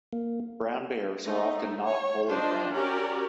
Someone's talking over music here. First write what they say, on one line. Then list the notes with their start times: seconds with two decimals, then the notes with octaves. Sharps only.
Brown bears are often not fully brown.
0.13 A#3
1.25 A3 D#4
1.84 C#5
2.30 D4 F4 C5 D#5
2.74 C#4 F#4 G4 A#4 D5